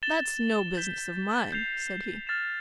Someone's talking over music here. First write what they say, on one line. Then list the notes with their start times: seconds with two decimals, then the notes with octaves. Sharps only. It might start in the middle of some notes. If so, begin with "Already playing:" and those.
"That's no business of mine," said he.
0.03 A6 E7 G7
0.77 G6 B6 E7 G7
1.52 G6 C7 F7
2.27 F6 A6 E7